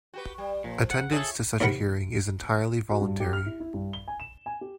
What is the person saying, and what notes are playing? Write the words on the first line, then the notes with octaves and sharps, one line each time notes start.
Attendance to such a hearing is entirely voluntary.
F#4 G4 B4
G3
A#2 F3
F#5
F4 G#4 A4 C#5 E5
D#2 C3 A#4 F#5 B5 C#6
F#4
G2
G4
F6
E4
E4
G2
G7
G#5
E7
G#5
G4